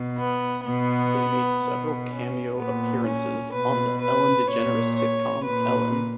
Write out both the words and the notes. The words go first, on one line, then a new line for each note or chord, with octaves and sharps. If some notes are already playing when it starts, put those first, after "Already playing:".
They made several cameo appearances on the Ellen DeGeneres sitcom "Ellen".
Already playing: B2
B3
B2 B3
B2
C#4
A#2 B3
C#4
B2 B4
B4
A#2 C#5
C#5
A#2 B4